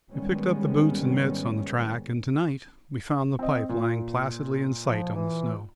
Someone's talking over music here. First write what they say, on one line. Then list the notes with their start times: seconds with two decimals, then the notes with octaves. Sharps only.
We picked up the boots and mits on the track, and to-night we found the pipe lying placidly in sight on the snow.
0.12 G#2 D#3 G3 G#3 B3 C#4
3.39 C4 D#5
3.69 A#2
4.86 F3
5.15 E3